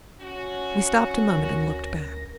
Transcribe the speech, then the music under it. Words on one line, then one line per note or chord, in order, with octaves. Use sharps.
We stopped a moment and looked back.
C#4 F#4
D2 A#4 A#6